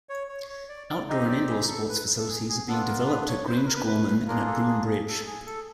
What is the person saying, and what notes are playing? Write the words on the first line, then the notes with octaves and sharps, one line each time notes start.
Outdoor and indoor sports facilities are being developed at Grangegorman and at Broom Bridge.
C#5
C#5
C#5
D5
D5
C4 D#4 G4 D#5
D5
G#4
A4
B4
A4
G#4
G#4
B3 D4 F4 A4
A#4
B4
C#5
C5
B4
A#4
B4
B4
A#3 D4 F4 G#4 A#4
A4
G#4
G#4
A4
G#4
A4